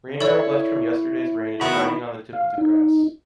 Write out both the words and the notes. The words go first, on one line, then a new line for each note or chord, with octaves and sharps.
Raindrop left from yesterday’s rain is shining on the tip of the grass.
E4 A4 C#5 D5
D#3 B3 E4 F#4 G#4 B5
F5
D#4